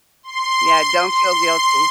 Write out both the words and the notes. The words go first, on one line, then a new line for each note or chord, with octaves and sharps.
Yeah, don't feel guilty.
C6
C6